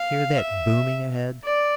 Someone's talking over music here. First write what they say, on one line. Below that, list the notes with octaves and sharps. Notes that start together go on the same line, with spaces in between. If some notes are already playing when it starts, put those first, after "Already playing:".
Hear that booming ahead!
Already playing: F5
E5
D5